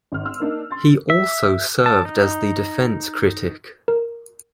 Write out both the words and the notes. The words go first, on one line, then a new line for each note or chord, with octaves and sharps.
He also served as the defence critic.
G#1 F6
C6 E6 F6
A#3 D4 D#4
C6 A6
E5
A5
D#4
A#4